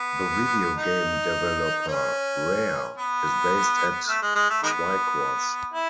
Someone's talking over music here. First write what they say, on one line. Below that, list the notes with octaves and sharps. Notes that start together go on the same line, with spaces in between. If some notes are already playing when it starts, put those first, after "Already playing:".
The video game developer Rare is based at Twycross.
Already playing: B3
D#4
C#4
B3
A3
G#3
G#3
A3
D#3 G#3 B3
E4